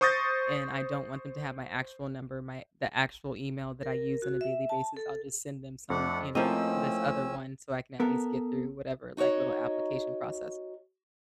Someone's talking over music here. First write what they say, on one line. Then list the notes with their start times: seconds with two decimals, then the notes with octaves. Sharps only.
and I don't want them to have my actual number, my the actual email that I use on a daily basis, I'll just send them some, you know, this other one so I can at least get through whatever, like, little application process.
0.01 C5 C#6 D#6 G6 A6 A#6
3.83 A#4
4.22 F#4
4.41 E5
4.69 A5
4.97 A4
5.90 F2 A3 D4 F#5
6.35 A2 F3 A#3 C4 C#4 D#5 E6
8.00 B3 A4 A#4
9.17 D#4 F#4 A#4 C#5 D#5